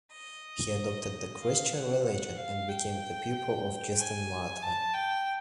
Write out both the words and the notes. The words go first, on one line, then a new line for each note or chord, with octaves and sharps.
He adopted the Christian religion and became the pupil of Justin Martyr.
D#5
F5
F#5
F#5
F5
G5
G#5
A5
G5